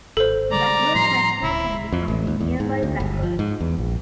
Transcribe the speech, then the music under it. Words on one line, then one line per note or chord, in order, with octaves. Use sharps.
Blackburn High School can be found in nearby Blackburn.
G#1 A4 C5
C#3 G3 G#3 D5 A#5
A2 F3 G3 C6
D1 C#2 E4
F2
A1
D#2
E2
G#2
D2
G1
F3
G#2
E2
A#1